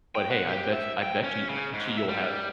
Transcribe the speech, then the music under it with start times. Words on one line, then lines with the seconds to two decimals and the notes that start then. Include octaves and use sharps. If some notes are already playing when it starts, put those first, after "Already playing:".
But hey, I bet I bet you I bet you you'll have
0.15 G5
0.31 F#5
0.49 G4
0.73 E5
1.02 G5
1.24 C#4
1.49 C#3
1.73 G#2
1.97 E5
2.09 G3